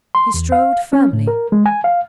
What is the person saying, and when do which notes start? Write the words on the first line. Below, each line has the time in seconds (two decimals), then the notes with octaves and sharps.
He strode firmly.
0.15 C6
0.34 E2
0.52 F5
0.93 C#4
1.13 A2
1.27 A#4
1.52 G#3
1.66 G#5
1.84 F5